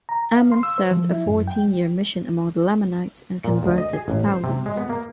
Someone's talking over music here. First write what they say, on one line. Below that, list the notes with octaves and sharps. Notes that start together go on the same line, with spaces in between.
Ammon served a fourteen-year mission among the Lamanites and converted thousands.
A#5
F5
C6
E6
C5
F3
E4
F#2
G5
A#2
D2
D#5
G#4
A1
C5
C3
G#3
B3
A#3